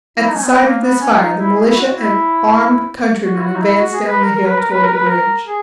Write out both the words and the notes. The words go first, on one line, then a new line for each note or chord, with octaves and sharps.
At the sight of this fire the militia and armed countrymen advanced down the hill toward the bridge.
E4
D#4
C#4
B3
A#3
B3
C#4
D#4
E4
G#4
E4
F#4
E4
F#4
E4
F#4
D#4
E4
F#4
G#4
B4
A#4
A#4
B4
A#4
B4
A#4
B4
A#4
G#4